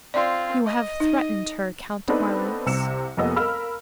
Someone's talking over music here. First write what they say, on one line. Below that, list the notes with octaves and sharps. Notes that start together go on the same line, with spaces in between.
"You have threatened her, Count Marlanx."
C4 F4 D5 C6
D#5
D#4
B3 C4 D4 D#4 A4 B4
C2 C3 E6 C#7 E7
F1 F2 A#3 B3 D#5 E6
A#4 F5 B5 E6 F6